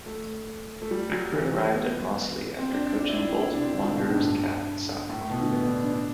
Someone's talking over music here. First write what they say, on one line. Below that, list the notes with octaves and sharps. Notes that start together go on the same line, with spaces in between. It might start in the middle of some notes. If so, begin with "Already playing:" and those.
Beckford arrived at Mossley after coaching Bolton Wanderers' Academy side.
A3
A3
G3
F#3
E3
G3
A3
B3
C4
D4
D4
D4
E4
D4
C4
E4
D4
C4
D3
D3
B2
A2
G2
A2
A2
B2
D3
B3
D4
D4
D4